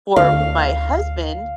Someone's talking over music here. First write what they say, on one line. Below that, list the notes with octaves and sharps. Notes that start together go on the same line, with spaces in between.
for my husband,
D2 F5